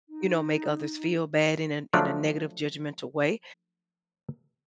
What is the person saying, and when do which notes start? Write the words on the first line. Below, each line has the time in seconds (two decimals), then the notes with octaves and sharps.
you know, make others feel bad in a in a negative judgmental way.
0.09 D#4
1.94 F3 F#3 A3 D4